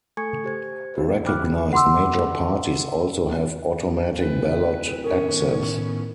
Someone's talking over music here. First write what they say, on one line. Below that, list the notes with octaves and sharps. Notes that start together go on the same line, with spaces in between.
Recognized major parties also have automatic ballot access.
A3 A4 G#5 C#6 G#6 C#7
G4 C5 G#6
A#3 F#4 B4 C5
G5 B5 D6 F6 F#6
F#5 B5 C6 D6 E6
D1 B4
A2 D#3 B3 C#4 A#4